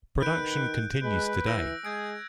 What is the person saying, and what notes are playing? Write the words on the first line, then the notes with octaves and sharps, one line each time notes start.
Production continues today.
D#3 B4 F#6 G6 D7
G#3 B4
E3 E6 A#6 D7
G#3 G#4 G6 G#6 D7